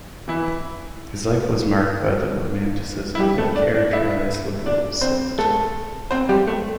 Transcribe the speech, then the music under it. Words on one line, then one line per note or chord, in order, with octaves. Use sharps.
His life was marked by the romanticism that characterized liberals of the time.
E3 E4
E4
G3 G4
A3 A4
D4 D5
D4 D5
E4 E5
D4 D5
C4 C5
A3 A4
C4 C5
G3 G4
A3